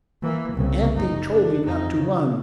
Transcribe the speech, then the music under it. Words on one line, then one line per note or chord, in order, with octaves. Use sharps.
'Aunty told me not to run.
E3 A#3
C2 C#3
F#1 D#4
D4
F2 D#4
C#3